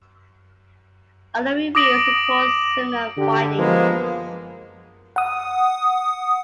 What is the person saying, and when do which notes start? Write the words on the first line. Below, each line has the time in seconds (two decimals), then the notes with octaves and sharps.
Other reviews report similar findings.
1.75 D6 D#6 A#6 D7 F#7
3.17 D3 G4
3.59 F3 G#3 A#3 B3
5.16 F#5 D#6